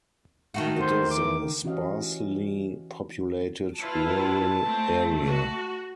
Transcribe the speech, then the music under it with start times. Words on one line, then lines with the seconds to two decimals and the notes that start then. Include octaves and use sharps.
It is a sparsely populated, rural area.
0.54 D#3 A3 F#4
0.80 C5
1.11 D6
1.64 E3 C#4 F#4 G4 D#5 F5
3.78 E4 F4 B4 A5
4.65 A3 C4
5.27 F#4